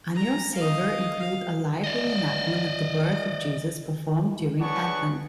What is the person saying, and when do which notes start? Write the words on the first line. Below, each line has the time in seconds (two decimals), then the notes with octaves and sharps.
Annual sagre include a live re-enactment of the birth of Jesus performed during Advent.
0.14 A#5
0.55 D#5 F5
1.20 F5
1.84 D5 D#5
4.60 D4 G#4 B4 C#5 F#5 C#6